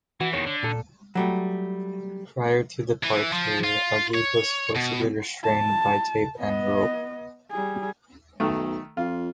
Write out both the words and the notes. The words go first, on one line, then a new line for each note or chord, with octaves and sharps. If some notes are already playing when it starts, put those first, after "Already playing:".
Prior to departure, Ageeb was forcibly restrained by tape and rope.
E3 F#4
E2 D#3 C#5
D3
A#2 A4
F#3 G3 A3
E3
F3
F4
C#5
B2
A5
B3 D#5
G3 G#4
B1 D#3 A3
F2 F4